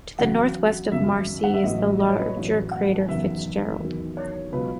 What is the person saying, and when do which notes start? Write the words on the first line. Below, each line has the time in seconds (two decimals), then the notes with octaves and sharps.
To the northwest of Marci is the larger crater Fitzgerald.
0.19 E2 C#3 F#3 F#5
0.91 G#1 F#2 C#3 E5
1.44 F#5
1.54 E5
1.63 A1 A2 F#3 D#5
1.99 D#5
2.10 C#5
2.19 B4
2.28 C#5
2.36 A1 A2 F#3
2.71 F#5
3.08 F#1 E2 D#3 F#3 E5
3.81 E2 D#3 F#3
4.17 C#5
4.52 C#2 B2 F#3 B4